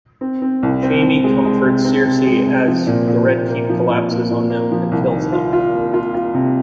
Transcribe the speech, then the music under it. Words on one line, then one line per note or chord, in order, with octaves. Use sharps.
Jaime comforts Cersei as the Red Keep collapses on them and kills them.
C4
C4
C2
C4
C2
G#3
G#3
C3
C4
C3
G#3
C3
F3
A#2
A#2
A#2
A#3
F3
A#2
A#2
A#2
A#3
F3
C2
D#3
F4
F4
A#3
F4
F4
C3